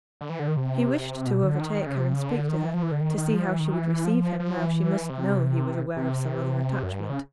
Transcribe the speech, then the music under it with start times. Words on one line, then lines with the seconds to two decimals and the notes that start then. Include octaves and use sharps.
He wished to overtake her, and speak to her, to see how she would receive him, now she must know he was aware of some other attachment.
0.21 D3
0.29 E3
0.39 D3
0.48 D#3
0.57 C3
1.26 B2
1.43 D3
1.61 D#3
1.87 C#3
1.95 C3
2.13 C#3
2.30 D3
2.48 D#3
2.66 E3
2.74 F3
2.83 E3
2.92 D3
3.01 D#3
3.18 D#3
3.34 F3
3.48 E3
3.60 D#3
3.73 E3
4.05 F3
4.40 F3
4.57 E3
5.09 C3
5.97 C3
6.83 F#2
6.93 G2
7.01 G#2
7.10 C#3